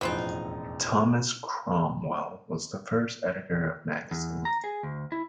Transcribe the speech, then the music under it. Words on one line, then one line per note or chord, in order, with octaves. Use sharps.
Thomas Cromwell was the first editor of magazine.
E1 A1 F2 B3 C4 D#4
E2
A#5
G#4
D2
E4